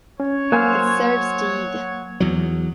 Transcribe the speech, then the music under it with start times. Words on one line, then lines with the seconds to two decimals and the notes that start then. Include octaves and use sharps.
It serves Deeg.
0.20 C#4 C#5
0.52 F#3 A#3 C5 F5 G#5
2.20 E2 F#3